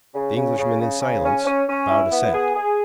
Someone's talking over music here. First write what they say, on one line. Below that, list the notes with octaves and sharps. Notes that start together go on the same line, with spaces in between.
The Englishmen, in silence, bowed assent.
C#3
C#3
C#3
C#3
C#3
C#4
C#4
C#4
E4
B3
G#4
G#4